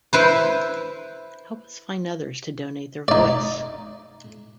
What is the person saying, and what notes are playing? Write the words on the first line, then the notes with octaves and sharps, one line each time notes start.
Help us find others to donate their voice!
E4 B4 C5
D#4 D5